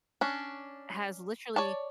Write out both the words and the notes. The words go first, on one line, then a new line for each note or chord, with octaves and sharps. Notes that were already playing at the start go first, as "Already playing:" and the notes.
has literally,
C#4 D4
C#5 D5 A5